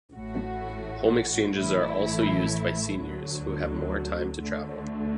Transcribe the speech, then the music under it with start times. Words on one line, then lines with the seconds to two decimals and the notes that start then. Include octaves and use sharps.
Home exchanges are also used by seniors, who have more time to travel.
0.15 A1 A2 A3 F#4
1.56 A1 A2 E3 A3 E4
2.99 D2 D3 F#3
4.42 D2 D3 A3